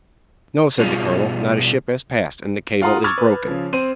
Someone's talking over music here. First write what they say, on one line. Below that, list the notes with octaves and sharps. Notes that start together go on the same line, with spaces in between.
"No," said the colonel; "not a ship has passed; and the cable is broken."
B2 G3 F4 G#4
F4 F5 F#5 A#5 C6 D#6
C#6 D6 E6 F6 G#6 A6
B4
C#3 F3
C4 C5 D#7